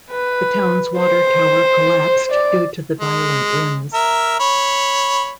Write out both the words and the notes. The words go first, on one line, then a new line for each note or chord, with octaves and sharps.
The town's water tower collapsed due to the violent winds.
B4
C5
D5
G#3
A#4 E5
C#5 B5